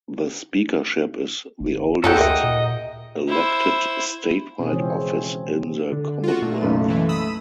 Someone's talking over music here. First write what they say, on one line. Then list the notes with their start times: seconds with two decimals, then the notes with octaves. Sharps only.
The speakership is the oldest elected statewide office in the Commonwealth.
1.60 G1
2.04 F#2 F#3 C#4 D#4 A4 F#5 G5
2.17 D2 G#4 A#4 D#5 E5
2.43 A#2
3.28 E4 C5
4.59 B2 C4 C#4 G#4
4.72 C#3 E3 F3 G#3 C4 C#4
5.92 D3
6.24 F4 F#4
6.42 A#2 A3
6.62 F#1 B1 F#2
6.90 E3
7.09 B5 D#6 E6